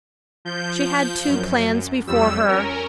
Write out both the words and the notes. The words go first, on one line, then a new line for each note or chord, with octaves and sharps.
She had two plans before her.
F3 G6
F#2
F2 G3 E6
C#4 A#4